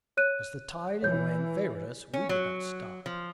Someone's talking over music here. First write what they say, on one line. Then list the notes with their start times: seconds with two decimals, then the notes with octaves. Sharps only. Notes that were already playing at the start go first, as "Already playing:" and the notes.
As the tide and wind favored us, we did not stop.
0.17 C#5 F#6 D#7
1.02 E3 C#5 G6
2.14 C#4
2.29 F#3
3.06 F3